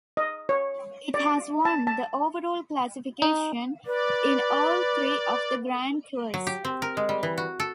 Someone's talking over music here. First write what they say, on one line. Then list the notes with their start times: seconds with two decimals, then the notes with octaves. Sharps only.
It has won the overall classification in all three of the Grand Tours.
0.17 D#5
0.49 C#5
1.14 D5
1.65 A5
1.87 A5
3.22 D#4
3.86 B4 D5
6.34 F#3
6.47 G4
6.64 C4
6.82 A#4
6.97 G#3
7.09 G3
7.23 E3
7.38 F#4
7.60 A4